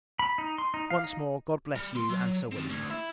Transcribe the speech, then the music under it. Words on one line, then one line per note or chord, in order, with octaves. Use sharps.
Once more, God bless you and Sir William.
B5
D#4
C6
D#4
F5
D#4
G3
B2 C6
F#3
D#3 C4
D2
E4